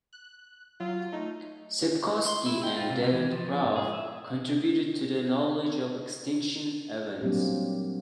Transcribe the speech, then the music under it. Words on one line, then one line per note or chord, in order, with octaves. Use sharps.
Sepkoski and David Raup contributed to the knowledge of extinction events.
F#6
F#3 F4
A3 D#4
C6
E4
G5
F4
C3
E3
F3
F3
G#2
G#4
E5
F#3 G3 A#3 C4 D4 G4